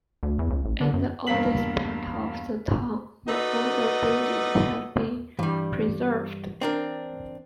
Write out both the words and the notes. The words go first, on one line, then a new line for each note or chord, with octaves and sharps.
In the oldest part of the town the older buildings have been preserved.
D2
E2
C#2
A1
D3
F#2
E1 G2 A#3 A#4 B6 F#7
D#4 F#4 A4 B4 D5 D#5
G2 E3 G3
C4 D4 A#4